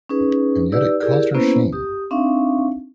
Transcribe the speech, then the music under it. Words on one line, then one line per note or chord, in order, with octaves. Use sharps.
And yet it caused her shame.
C#4 D#4 G#4 B4
D#4 G4 B4 D5 E6
E4 G4 G#4 A#4 D5
A#3 B3 C#4 E4 B4 C5
G4 D#6
C4 D4 D#4 E5 F5 C#6